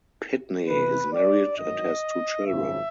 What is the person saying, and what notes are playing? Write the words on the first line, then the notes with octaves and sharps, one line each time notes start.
Pitney is married and has two children.
E2 C3 E3 B4
D5
G#1 G2 D#3 F#3 D#5
G#1 F#2 C#3 F3 E5